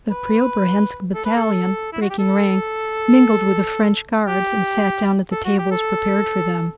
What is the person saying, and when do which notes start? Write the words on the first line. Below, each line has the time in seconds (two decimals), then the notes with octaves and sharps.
The Preobrazhensk battalion, breaking rank, mingled with the French Guards and sat down at the tables prepared for them.
0.11 B4
1.15 A4
1.25 B4
1.36 A4
1.93 E4
2.02 F#4
2.10 G4
2.19 A4
4.28 G4
5.32 A4
5.45 F#4
5.59 G4
5.71 A4